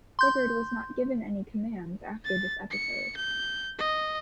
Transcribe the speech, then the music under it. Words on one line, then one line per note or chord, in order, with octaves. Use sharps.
Sigurd was not given any commands after this episode.
C6 G6
A6
C#7
G6
D#5